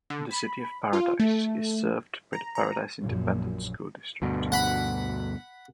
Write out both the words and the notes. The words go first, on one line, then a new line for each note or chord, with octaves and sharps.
The City of Paradise is served by the Paradise Independent School District.
D3
B5
F4
A3
A#5
A#5
A#1 F#2
D2 G2 B2
F#5 B5